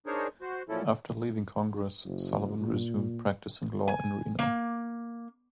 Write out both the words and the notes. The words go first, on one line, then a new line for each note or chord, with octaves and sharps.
After leaving Congress Sullivan resumed practicing law in Reno.
D4 D#4 G#4 A#4 C5 C#5
F#4 C5
A#2 F3 F#3 C#4 E4 A4
D3
F#1
A#2
G#5
A#3